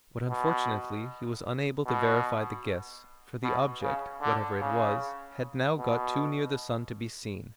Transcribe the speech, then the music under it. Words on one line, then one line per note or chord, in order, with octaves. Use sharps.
But unfortunately he was unable to verify the guess, for the object, whatever it was, had now got too near the sun to be seen.
B2
B2
B2
C#3
D3
C#3
B2